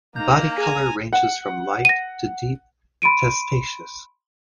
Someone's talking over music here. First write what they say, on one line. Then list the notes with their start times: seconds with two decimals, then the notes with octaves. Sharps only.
Body color ranges from light to deep testaceous.
0.16 A#3 D#4 A#5 G6
0.58 G#4 G#5 A#5
1.13 F#5
1.85 A#6 D#7
3.02 B5 C6 D7 D#7